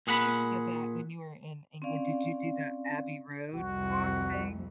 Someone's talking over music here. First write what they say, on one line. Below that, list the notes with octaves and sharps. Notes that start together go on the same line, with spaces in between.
Speaking of that, when you were in England, did you do the Abbey Road walk thing?
A#2 G#4 F#5 A#5 B5
C4 C#4 D5 F5
C2 F2 F#4